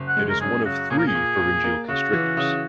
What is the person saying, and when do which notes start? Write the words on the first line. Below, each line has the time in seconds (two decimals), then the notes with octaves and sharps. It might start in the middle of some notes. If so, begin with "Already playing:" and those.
It is one of three pharyngeal constrictors.
Already playing: F#1
0.08 F#5
0.17 G#3
0.30 A#4
0.41 F#2 G#4
0.65 C#3 F#4
0.90 A#2 G#4
0.99 A#4
1.07 G#4
1.15 A#2
1.39 A#2
1.64 A#3
1.88 C#3 F#4
2.13 E3
2.37 C#3